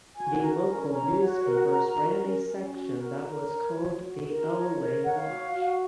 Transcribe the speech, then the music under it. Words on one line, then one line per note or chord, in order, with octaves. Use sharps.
The local newspapers ran a section that was called The Elway Watch.
F#4 G#5
A#4
C#4
C#5 A#5
F#4
A#4
F#4 A#5
A#4
C#4
C#4
F#4
A#4
A#4 A#5
C#5
F#4
F#4
A#4
C#5
A#4
C#5 F#5
F5
F#4
F#4